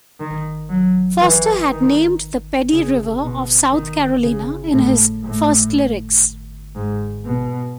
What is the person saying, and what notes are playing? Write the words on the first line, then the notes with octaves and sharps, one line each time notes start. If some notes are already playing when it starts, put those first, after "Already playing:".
Foster had named the Pedee River of South Carolina in his first lyrics.
D#3
F#3
E3
D#3
C#3
B2
D#3
C#3
A2
A2
G#2
B2